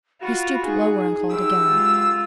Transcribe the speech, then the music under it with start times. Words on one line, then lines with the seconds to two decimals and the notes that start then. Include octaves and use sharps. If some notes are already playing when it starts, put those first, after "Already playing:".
He stooped lower, and called again.
0.22 F4 F#4 B5
0.64 D#4 G#4
1.30 F#2 G4 E6
1.68 G#3 F4